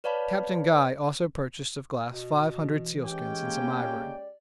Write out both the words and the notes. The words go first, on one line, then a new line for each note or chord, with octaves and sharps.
Captain Guy also purchased of Glass five hundred sealskins and some ivory.
B4 C#5 D5 F5 A5 B5
B2
E3
G#3 C#4 G4 G5
A#3
D5